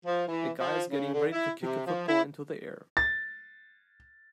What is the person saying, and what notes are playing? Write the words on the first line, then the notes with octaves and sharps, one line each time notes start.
A guy is getting ready to kick a football into the air.
F3
E3
F3
C#3
D3
E4
C3
F3
E4
A6